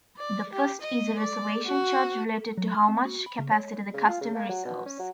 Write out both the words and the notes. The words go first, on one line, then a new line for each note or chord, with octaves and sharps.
The first is a reservation charge related to how much capacity the customer reserves.
D5
G4
D#5
D5
F#4
F#3
F6
C4
F#4
B5
C#3
C#5
C#3
F4
C#3
A#3
F#3
B2
C#4
F#3